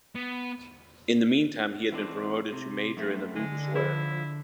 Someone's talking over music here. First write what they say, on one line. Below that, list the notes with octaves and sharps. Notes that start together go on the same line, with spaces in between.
In the meantime he had been promoted to Major in the Bundeswehr.
B3
E3 C4 D4
C3
F#2 A3 C4
D3 G#3
F3 E4 G#4 B4